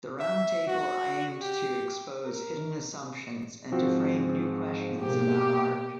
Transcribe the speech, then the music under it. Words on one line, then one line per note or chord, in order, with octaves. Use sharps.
The roundtable aimed to expose "hidden assumptions" and to frame new questions about art.
E5
F#4
G4
A#4
G#2 F3 C4 F#4
B2 A#3 G4